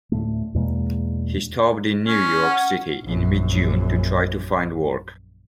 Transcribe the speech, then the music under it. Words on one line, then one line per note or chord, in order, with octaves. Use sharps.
He stopped in New York City in mid-June, to try to find work.
D2 A2 D3 A3
E2 B2 G#3 A#3
C#4
F#5
A#1 F#2